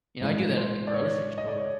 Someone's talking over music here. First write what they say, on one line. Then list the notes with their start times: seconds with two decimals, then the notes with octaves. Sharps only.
You know, I do that at the grocery store.
0.20 A1 G#2 E3 G#3
0.57 C5
0.87 D5
0.94 C#5
1.38 D#5
1.48 D5
1.57 C#5